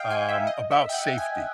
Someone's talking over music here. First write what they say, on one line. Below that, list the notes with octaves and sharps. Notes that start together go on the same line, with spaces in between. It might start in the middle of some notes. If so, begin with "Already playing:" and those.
um, about safety
Already playing: D#5 F5 G5
G#5
E5
D#5
E5
G5
F#5
G#5